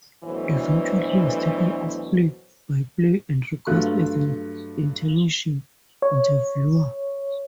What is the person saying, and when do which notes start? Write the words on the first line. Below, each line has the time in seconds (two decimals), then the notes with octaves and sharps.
Eventually he was taken off play-by-play and re-cast as an intermission interviewer.
0.24 D2 B2 D3 E3 F#3 C5
3.67 G2 F#3 A3 F4 F#6
6.02 C#5